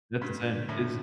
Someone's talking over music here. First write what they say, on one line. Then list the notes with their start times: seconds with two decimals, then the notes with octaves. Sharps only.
That's insane. Is i
0.21 G2 A3
0.52 D3
0.69 A2
0.84 D3